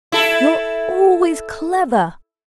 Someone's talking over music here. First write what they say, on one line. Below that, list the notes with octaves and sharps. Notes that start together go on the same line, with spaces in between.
You're always clevah.
E4 A4